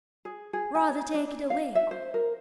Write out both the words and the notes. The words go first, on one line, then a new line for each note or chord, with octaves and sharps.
Rather take it away!
G#4
G#4
G#5
C#5
D4
F5
E5
C5
A#4